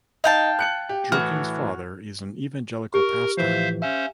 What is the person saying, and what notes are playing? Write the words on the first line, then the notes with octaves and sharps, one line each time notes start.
Jerkins' father is an Evangelical pastor.
D#4 F5 G5 A5
F#6 C#7 F#7
G4
A2 E3 F#4 F6
G4 A#4
A2 E3 F3 C5 E5 F5
C#4 C5 E5 F5